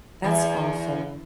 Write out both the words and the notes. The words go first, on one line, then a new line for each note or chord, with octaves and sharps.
That's awful.
E2